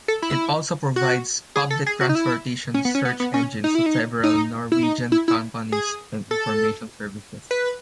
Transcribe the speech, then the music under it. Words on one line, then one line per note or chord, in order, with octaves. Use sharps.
It also provides public transportation search engines to several Norwegian companies and information services.
A4
E4
F#4
G#4
A4
G#4
F#4
D#4
E4
C#4
B3
C#4
B3
B3
C#4
D#4
E4
D#4
D#4
E4
D#4
E4
E4
G#4
A4
B4